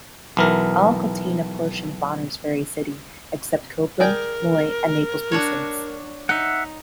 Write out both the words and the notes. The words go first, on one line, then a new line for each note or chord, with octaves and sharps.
All contain a portion of Bonners Ferry City except Copeland, Moyie, and Naples precincts.
B1 E3 A#4
G#4 A#4 D5 G5
D4 F#4 C#5
D#4 E5 F#5